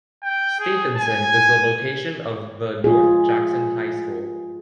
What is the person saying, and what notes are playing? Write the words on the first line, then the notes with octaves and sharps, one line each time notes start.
Stevenson is the location of the North Jackson High School.
G5
G#4
G#5
F4 G#4